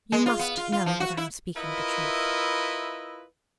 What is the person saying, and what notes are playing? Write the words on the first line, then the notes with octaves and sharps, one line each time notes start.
You must know that I am speaking the truth.
G#3
F4
B3
F4
F4
F3
F#4
E4
E4 F4 A#4 B4 D#5 E5